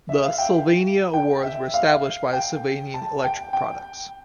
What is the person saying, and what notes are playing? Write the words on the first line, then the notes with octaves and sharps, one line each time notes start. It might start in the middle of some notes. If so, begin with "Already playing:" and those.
The Sylvania Awards were established by Sylvania Electric Products.
E5
F5
G5
G5
E5
F5
G5
A5
G5
G5